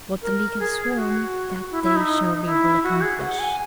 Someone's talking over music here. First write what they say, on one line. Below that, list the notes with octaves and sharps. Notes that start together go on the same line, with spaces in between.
What the league have sworn, that they surely will accomplish.
A#4
G#4
F#4
E4
E4
D#4
E4
F#4
G#4
F#5
G#5